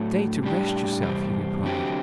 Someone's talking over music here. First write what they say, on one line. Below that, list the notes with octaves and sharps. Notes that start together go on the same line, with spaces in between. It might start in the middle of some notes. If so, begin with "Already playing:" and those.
'Stay to rest yourself,' he replied.
Already playing: A2 F#3 A3
A2 G3 D4 G4
E2 C3 G3 C4
D3 F#3 C4 G4